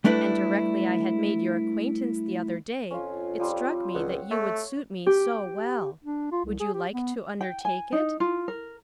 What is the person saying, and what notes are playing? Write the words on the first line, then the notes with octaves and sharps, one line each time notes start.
And directly I had made your acquaintance the other day it struck me that you would suit me so well. Would you like to undertake it?
G3 A3 D4 E4 B4 D5
F2 C#4 F4
F3 G3 C4
C#2 F#5
A3 C#5
G4
D4
F4
C2
G#4
G4
B3
G5
G#5
D#4
F4
A#4